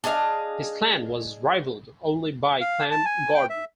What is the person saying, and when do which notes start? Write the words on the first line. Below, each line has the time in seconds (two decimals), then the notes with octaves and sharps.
His "clan" was rivalled only by Clan Gordon.
0.04 D4 G#4 D#5 F5
2.61 F5
2.91 A5
3.05 G#5
3.35 G5
3.50 E5